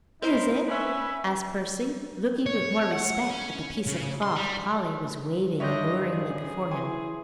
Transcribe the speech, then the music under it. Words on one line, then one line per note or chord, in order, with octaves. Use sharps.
"Is it?" asked Percy, looking with more respect at the piece of cloth Polly was waving alluringly before him.
C4 D#4 E4 A#4 C5 B5
C#4 B4 E5
C#5
F#5
C#4
C#3
C6
G3
G2 G3 D4 C#5 D#5 E5 C6 G6
G#4
C#4
E3 G#5 C6